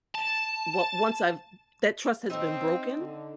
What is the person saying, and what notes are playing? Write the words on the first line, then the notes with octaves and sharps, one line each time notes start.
well, once I've that trust has been broken,
A5
C4 D#4 E5
D3